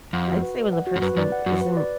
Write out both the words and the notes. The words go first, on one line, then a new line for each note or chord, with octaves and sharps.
I'd say when the person isn't
F2 F#5
F#4
B4
D5
F#5
F#4
F2
F#2 B4
F#2 D5
F#5
F#2 F#4
B4
D5